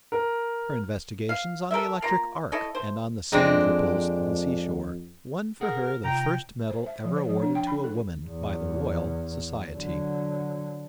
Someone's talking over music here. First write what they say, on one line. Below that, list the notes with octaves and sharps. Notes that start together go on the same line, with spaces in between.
Her investigations on the electric arc and on the sand ripples of the seashore won for her the first medal ever awarded to a woman by the Royal Society.
A#4
F5
A4 A#4 C5 E5
A#3 F4 A#5
E4 A4 C#5 D#5
C5
F2 G#3 C4 D4
G#4 A#4 F#5
C3 F4 G5 A#5
C5
E5
F3
C5
F3
D4
G5
B5
A4
E2
D3 F#3